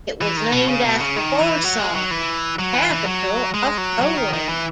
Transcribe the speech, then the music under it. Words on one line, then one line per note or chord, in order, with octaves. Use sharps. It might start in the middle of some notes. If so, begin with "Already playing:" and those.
It was named after Warsaw, the capital of Poland.
E3
D#3
B2
C#3
B2
C#3
D#3
E3
F#3
G#3
F#3
E3
F#3
E3
E3
F#3
G#3
F#3
F#3
D#3
D#3
E3